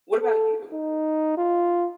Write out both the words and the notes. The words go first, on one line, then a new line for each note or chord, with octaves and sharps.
What about you?
A4
D#4
F4